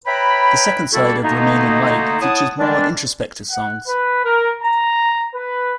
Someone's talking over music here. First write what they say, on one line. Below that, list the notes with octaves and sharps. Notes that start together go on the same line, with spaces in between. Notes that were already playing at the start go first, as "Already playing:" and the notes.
The second side of "Remain in Light" features more introspective songs.
B4 C#5 E5 G5 A#5 B5
G3 A#3 C4 E4 F#4 A4
B2 D3 A3 A#3 D#4
E4 C#5 F#5 A5 D#6
D#3 E3 G3 G#3 D4
F#5
B4
A#4
A#5
B4